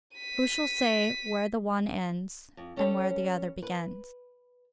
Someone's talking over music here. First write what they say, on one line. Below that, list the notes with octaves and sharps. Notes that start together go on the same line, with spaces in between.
Who shall say where the one ends, and where the other begins?
B6 D#7
F2
G3 C#4 G4 A4 C5 C#5
B4